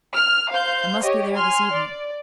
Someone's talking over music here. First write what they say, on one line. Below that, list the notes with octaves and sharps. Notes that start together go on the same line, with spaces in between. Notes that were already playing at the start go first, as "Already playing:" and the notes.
"I must be there this evening."
F6
C5 F5 G6
G4 C#5 D#5
G#5 C6 F6
D5